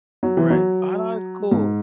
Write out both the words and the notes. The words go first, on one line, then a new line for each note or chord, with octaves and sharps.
Right, ah, that's cool.
F#3
E3
F#3
G#2